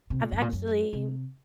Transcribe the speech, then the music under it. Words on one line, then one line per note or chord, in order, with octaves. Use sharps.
I've actually
C3
A#2
F#2
A#2
F#2
C3